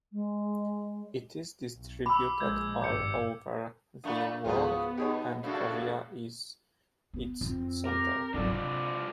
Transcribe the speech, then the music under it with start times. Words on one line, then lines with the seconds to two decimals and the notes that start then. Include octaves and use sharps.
It is distributed all over the world and Korea is its center.
0.12 G#3
1.72 B1
2.06 B5 D6 E6
2.40 A#1 G#3 G6 G#6
2.81 G#1 G2 D6 G6 C#7
4.04 A#2 A3 B3 D4 F#5 C#6 D#6
4.44 C#2 G#2 F3 B3 F4 F#4 G#4 C5
4.98 B2 D#4 G4 G#4 C#5
5.43 G2 C#3 F3 A3 D4 F#4 A4
7.14 B3
7.41 F2 C4 F4
7.85 G4 A#4
8.34 G#2 F#3 D4 F4 A4 D5
8.51 C3 D5